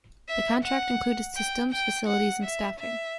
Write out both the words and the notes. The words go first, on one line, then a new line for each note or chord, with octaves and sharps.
The contract included systems, facilities, and staffing.
E5
F#5
G5
G5
F#5
E5
E5